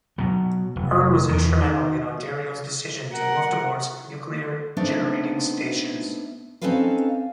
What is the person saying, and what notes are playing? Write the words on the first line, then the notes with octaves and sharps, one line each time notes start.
Hearn was instrumental in Ontario's decision to move towards nuclear generating stations.
B2 F#3
F1
E2 B2
D#3
A#4 F#5
A3 B3 C4 D4 D#4
C4 C#4 D#4 A4 B4 F5